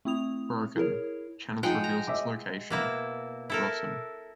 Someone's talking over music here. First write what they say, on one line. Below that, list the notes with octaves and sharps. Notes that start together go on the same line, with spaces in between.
Broken, Channis reveals its location: Rossem.
A3 C4 E4 D#6 F7
E4 G#4 A#4 C#5
F3 G#3 D#4 F#5 G5
A#5
D#5 E5 D6
B2 A#3 E4
E4 A4 A#4